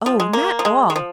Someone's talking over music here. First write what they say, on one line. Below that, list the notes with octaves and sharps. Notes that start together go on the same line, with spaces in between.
'Oh, not all!
F3
G#3
A#3
F3
G#3
G#3
F3